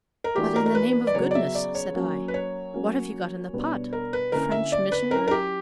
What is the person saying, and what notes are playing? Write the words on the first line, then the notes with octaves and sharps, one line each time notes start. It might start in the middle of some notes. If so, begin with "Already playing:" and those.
"But, in the name of goodness," said I, "what have you got in the pot? French missionary?"
A#4
E3 A#3 D4 F#4 G4
A#4
A#4
B4
D5
C#3 F#3 B3 F#4 C#5
D5
E5
D5
C#5
F#3 A#3 C#4 F#4
B4
C#5
F#3 A#3 C#4 F#4
B2 G3 B3 D4
A#4
B4
D3 A#3 C#4 E4 A#4
E5
D5
B4
F#3 C#4 E4 A#4
A#4
G4